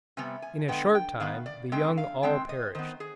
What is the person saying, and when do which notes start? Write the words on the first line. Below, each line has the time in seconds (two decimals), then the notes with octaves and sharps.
In a short time the young all perished.
0.17 C3 G3 B3 G#5
0.42 G#5
0.68 D3 G#3 B3 G5
0.95 G5
1.20 D#3 B3 F5
1.46 D5
1.72 D3 G#3 C4 G5
1.97 F5
2.23 D#3 G#3 C4 G5
2.49 D#5
2.75 D#3 B3 C5
3.00 G#4